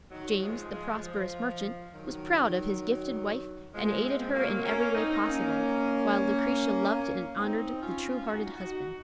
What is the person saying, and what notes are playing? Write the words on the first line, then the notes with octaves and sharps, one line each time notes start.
James, the prosperous merchant, was proud of his gifted wife, and aided her in every way possible; while Lucretia loved and honored the true-hearted husband.
D#3 F#3
F3 G#3
F3 G#3
F3
D#3 F#3
F3 G#3
G#3 C4
F#3 A#3
A#3 C#4
C4 D#4
A#3 C#4
C4 D#4
C#4 F4
D#4 F#4
D#4 F#4